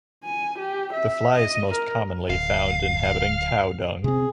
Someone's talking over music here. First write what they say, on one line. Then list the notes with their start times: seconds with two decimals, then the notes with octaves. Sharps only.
The fly is most commonly found inhabiting cow dung.
0.24 G#5
0.59 G4
0.93 E5
1.36 D#5
1.72 A#4
2.30 D1 F5
4.04 C3 C4 G#4